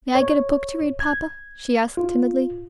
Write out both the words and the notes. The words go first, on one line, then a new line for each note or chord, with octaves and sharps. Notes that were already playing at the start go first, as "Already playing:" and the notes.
"May I get a book to read, papa?" she asked timidly.
C#5
G#6
F4